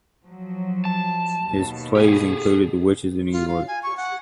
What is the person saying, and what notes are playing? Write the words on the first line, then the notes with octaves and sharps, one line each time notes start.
His plays included "The Witches of New York".
F3 F#3
A5
D#2 B2
G4 G#4
F4
F5
G#5
C#6
F#5